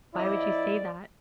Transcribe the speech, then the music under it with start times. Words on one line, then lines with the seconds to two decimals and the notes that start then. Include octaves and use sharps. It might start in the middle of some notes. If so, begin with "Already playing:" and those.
Why would you say that?"
0.15 F2 E4 D5 D#5